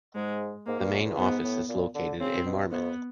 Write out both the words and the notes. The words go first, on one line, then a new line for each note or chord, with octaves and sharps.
The main office is located in Marmande.
G#2 G#3
G#2 A#3
G2
F#2
E2
G#2 B3
A2
A#2
D3
C#3 C4
B2
F2 B3